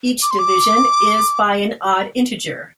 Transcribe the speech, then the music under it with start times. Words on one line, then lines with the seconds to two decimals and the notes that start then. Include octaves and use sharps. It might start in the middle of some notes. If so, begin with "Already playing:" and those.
Each division is by an odd integer.
0.22 D6
0.31 C6
0.39 D6